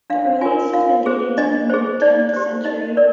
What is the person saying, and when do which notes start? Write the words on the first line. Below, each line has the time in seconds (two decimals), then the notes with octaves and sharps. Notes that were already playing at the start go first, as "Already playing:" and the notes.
The earliest has been dated to the mid-tenth century.
0.10 D4 F5
0.41 F4 A#4 G#5
0.73 F4 F5
1.06 G#4 C5
1.38 D4 D#5
1.70 G#4 C5
2.02 D#4 D5
2.33 G4 C5
2.65 D#4 D#5
2.97 A#4 D5